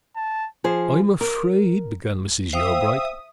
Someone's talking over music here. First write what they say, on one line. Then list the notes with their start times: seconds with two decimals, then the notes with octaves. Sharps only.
"I am afraid--" began Mrs. Yeobright.
0.16 A5
0.64 F3 G#4 C5
1.21 A#4
2.53 C5 E5 F5 G5 D#6